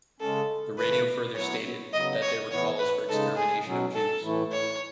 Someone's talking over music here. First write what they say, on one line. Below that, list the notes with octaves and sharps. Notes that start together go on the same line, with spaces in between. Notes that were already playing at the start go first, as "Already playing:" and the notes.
The radio further stated that there were calls for the extermination of Jews.
C#3 G#3 C#4 A4
C#3 E3 A3 B4
F#3 B3 E4 C#5
C#3 F#3 B3 D#5
C#5
A2 E3 B3 E4 C#5
B4
C#3 G#3 D#4 A4
G#4
B2 F#3 C#4
A4
A2 E3 A3 E4
C#5